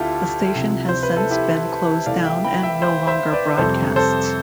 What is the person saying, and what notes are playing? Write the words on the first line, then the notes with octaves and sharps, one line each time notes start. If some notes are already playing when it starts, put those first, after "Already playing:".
The station has since been closed down and no longer broadcasts.
Already playing: D2 D3 C4 E4 F4 G4 A4
C2 C3 F3
C5
B4
A4
E4 G4
C2 C3 E3 A3 C4 D5 F5
E5 G5
G5 B5
E5 G5
C5 E5
C5 E5
B4 D5
F2 C3 G3 C4 A4 C5
A4 C5